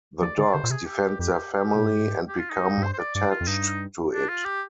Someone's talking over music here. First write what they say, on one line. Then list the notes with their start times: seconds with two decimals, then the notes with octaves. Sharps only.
The dogs defend their family and become attached to it.
0.21 F3 D5
0.38 D3 D5
0.53 D3 C5
0.63 A#2
0.70 C3 G#4
0.86 G4
1.19 F2 G4
1.53 G4
1.75 A#2
1.85 G#2
2.28 G4
2.39 F4
2.50 D#4
2.78 G#2
2.82 G2 C5
2.93 C5
2.99 D5
3.15 G2 D5
3.31 F4
3.41 F2
3.47 G2 D#4
4.13 D4
4.29 F4
4.45 G4